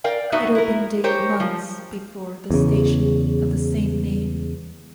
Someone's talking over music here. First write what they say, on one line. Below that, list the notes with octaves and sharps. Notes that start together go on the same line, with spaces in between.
It opened eight months before the station of the same name.
A#4 D5 F5 G5
A2 B3 D#4 F#4 E5 F#5
E4 A#4
G4 A#4 C5 C#5
F3
E2 C#3